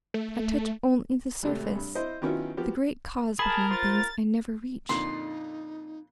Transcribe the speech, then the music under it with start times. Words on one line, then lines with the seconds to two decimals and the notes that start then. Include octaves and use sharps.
I touch only the surface. The great cause behind things I never reach.
0.14 A3
1.43 G#1 C3 A3
1.76 G2
1.95 E4 C5 D#5
2.22 D#3 F#3 B3 C#4 E4 F4
2.57 F3 B3 F#4 G4
3.39 G#4 A#4 A5 B5
3.71 F4 C5 A6
4.89 F2 A#2 D3 D#4 C6